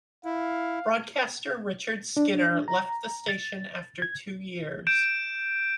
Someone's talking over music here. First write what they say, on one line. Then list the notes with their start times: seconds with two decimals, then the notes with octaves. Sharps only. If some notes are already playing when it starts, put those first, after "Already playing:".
Broadcaster Richard Skinner left the station after two years.
0.25 E4 F5
2.17 D4
2.68 A#5
3.28 A6
4.02 G#6
4.87 G6 D7 E7